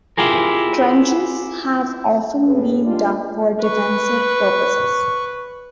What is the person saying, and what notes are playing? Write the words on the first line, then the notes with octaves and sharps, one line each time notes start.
Trenches have often been dug for defensive purposes.
E4 F4 G4 G#4 A#4
A2 G#4 B4
G3 G#3 D4 F4
B4 C#6